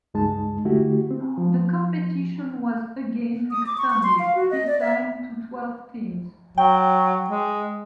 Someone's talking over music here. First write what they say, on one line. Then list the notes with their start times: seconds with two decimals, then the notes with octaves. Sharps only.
The competition was again expanded - this time to twelve teams.
0.14 C#2 G2 G#3 D#4 A5
0.65 D3 A3 E4 F#4 G4
1.11 C4
1.38 F3
3.51 D#6
3.66 D6
3.78 C#6
3.90 C#6
4.03 C6
4.19 F5
4.35 F#4
4.51 D#5
4.67 D5
4.80 E5
6.58 F#3 G5
7.30 G#3